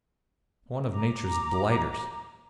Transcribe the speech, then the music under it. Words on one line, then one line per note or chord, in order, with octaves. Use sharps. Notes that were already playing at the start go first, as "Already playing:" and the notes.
One of Nature's blighters.
A#5 D6